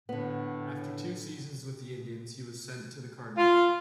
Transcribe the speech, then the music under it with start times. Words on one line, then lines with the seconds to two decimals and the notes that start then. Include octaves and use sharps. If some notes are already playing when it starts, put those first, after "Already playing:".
After two seasons with the Indians he was sent to the Cardinals.
0.09 A2 D3 B3
3.38 F4